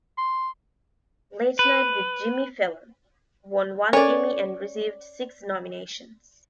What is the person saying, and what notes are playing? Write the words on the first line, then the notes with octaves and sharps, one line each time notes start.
"Late Night with Jimmy Fallon" won one Emmy and received six nominations.
C6
B4
C#4 A4 A#4 C#5 D5 G#5